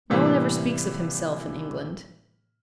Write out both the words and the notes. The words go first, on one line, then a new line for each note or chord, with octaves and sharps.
No one ever speaks of himself in England.
A2 C3 E3 G3 A#3